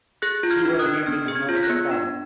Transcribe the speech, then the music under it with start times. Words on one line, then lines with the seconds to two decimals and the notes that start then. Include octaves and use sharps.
She was named in honour of the town.
0.22 G#4 F#6 A#6
0.43 F4
0.50 F6 G#6
0.65 D4
0.79 D#6 F#6
0.86 D4
1.06 B3 F6 G#6
1.28 G#4
1.35 F6 G#6
1.49 F4
1.56 B6
1.63 F#6 A#6
1.70 B3
1.91 D4